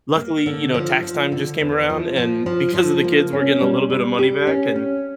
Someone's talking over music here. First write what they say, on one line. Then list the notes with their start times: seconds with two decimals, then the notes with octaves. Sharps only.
luckily, you know, tax time just came around, and because of the kids, we're getting a little bit of money back and
0.16 A#3
0.46 D3
0.74 F3
1.03 F3
1.32 D3
1.60 E2
1.90 F3
2.17 F3
2.46 F3
2.74 F3
3.04 A#3
3.33 C#4
3.61 G3
3.90 G3
4.19 G4
4.47 C#4
4.76 C#4